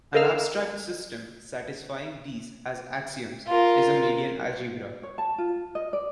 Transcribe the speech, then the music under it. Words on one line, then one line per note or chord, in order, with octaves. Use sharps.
An abstract system satisfying these as axioms is a median algebra.
A4 A#4 D#5 F5 E6 F6
F4 A#4
C#5
A5
F4
D#5
D5